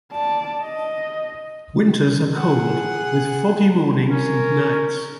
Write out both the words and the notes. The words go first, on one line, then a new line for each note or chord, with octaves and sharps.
Winters are cold with foggy mornings and nights.
D5 A5
D#5
G#4 F#5
C#4 A#4